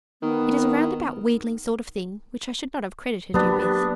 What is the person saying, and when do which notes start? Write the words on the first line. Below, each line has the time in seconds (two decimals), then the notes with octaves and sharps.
It is a roundabout wheedling sort of thing which I should not have credited you with.
0.22 D#3 B3
3.34 F#3 A#3 B3 D4 G4 B5